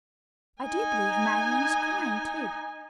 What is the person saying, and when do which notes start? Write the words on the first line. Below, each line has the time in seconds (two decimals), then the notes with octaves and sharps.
I do believe Marian is crying, too.
0.62 D#4 G#5